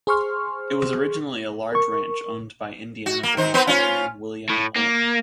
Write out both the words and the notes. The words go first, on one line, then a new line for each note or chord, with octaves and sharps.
It was originally a large ranch owned by Indiana-born cattleman William Ulm.
G#4 C5 C6 C#6 F6
A#4 C#6
F#4
A#3
D#3 C5
B3 B4 C5
C#4 F4
A2
A#3